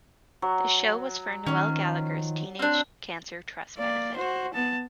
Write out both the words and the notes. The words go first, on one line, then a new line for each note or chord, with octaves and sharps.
The show was for Noel Gallagher's Teenage Cancer Trust benefit.
F#3
D#3 F3 C#4
C4 D4
A#3 D5
F#4 C5
B3 A5